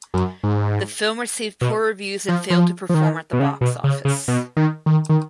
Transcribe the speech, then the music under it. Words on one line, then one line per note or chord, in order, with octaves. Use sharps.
The film received poor reviews and failed to perform at the box office.
F#2
G#2
B2
F3
F3
F3
D#3
B2
C#3
B2
C#3
C#3
B2
D#3
D#3
D#3